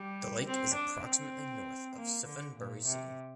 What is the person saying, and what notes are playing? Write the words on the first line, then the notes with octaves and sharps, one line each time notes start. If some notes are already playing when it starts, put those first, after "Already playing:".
The lake is approximately north of Suphan Buri City.
Already playing: G3
C4
D4
C4
A#3
D3
A#2
C3